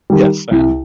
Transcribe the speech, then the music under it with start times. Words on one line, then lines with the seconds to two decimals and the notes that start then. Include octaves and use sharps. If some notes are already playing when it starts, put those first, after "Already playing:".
Yes, I am.
0.10 D#3 G3
0.51 C2